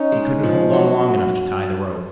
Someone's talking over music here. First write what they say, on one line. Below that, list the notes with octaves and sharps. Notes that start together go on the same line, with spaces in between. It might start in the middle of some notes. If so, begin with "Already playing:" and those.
He couldn't hold on long enough to tie the rope....
Already playing: C#4 D#4
G#3
F3
F#3